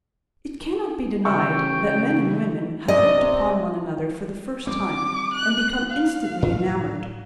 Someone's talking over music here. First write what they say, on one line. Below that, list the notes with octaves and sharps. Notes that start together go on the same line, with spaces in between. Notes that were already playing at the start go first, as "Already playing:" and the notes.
It cannot be denied that men and women have looked upon one another for the first time and become instantly enamored.
A1 C#3 E3 E5 G5 C#6 E6
C3 D5 D#5
G3 A3 C4 D6
F#6
F5
A2